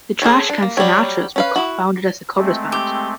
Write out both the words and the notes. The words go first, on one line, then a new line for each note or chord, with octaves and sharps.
The Trashcan Sinatras were founded as a covers band.
G#4 A4 C5 C#5
D4
A#3
F#3 G3 C4 C#5
C#4 B4 F5
E4 F#4
G#3 A3 C4
G4